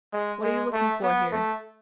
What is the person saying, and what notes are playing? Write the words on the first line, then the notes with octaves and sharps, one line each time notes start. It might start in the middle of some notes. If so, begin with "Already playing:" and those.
What are you looking for here?
G#3
G#3
A3
B3
A3